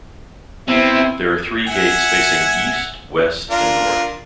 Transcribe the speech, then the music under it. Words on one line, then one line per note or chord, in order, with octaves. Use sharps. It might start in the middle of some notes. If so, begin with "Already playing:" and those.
There are three gates facing east, west, and north.
C3 B3 C4 E4
E5 F#5 G#5
D4 F4 A#4